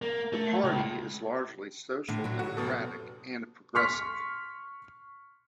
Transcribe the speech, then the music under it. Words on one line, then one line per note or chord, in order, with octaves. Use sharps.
The party is largely social democratic and progressive.
A#3
A3
C#2
A2 D3 D4
A2 F#3
F#4
F1 B2 A4
C6 C#6 F6 B6